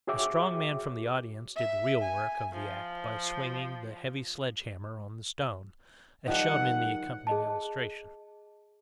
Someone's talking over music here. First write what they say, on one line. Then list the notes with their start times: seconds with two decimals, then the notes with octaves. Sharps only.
A strong man from the audience did the real work of the act by swinging the heavy sledge-hammer on the stone, as shown in the accompanying illustration.
0.07 F#4 G#4 C#5 E5 G5 D6
1.56 E5
2.01 G#5
2.53 F3
6.28 D#3 F3 G3 F#5
7.27 G#4 D#5 A5